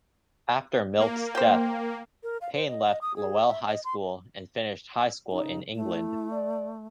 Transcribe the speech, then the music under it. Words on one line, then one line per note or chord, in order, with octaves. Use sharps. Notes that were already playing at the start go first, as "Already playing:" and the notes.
After Milk's death, Payne left Lowell High School and finished high school in England.
A#3
C5 G5
A#4
F5
C5
D#5
D#5
D#6
G#4
E5
D#5
C6
C#3 D#4
A3 E4
D5